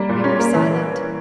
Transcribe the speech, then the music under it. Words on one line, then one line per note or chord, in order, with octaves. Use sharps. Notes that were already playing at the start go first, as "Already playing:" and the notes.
We were silent.
Already playing: G3 A#3
A#2
C#4
A#3
E3